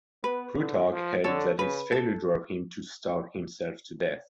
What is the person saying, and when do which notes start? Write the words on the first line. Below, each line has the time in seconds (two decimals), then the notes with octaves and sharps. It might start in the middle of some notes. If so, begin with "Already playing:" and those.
Plutarch held that its failure drove him to starve himself to death.
0.24 B3 B4
0.57 D3
0.90 F3
1.24 D3 A4 C#5
1.58 C#3 B4
1.92 A4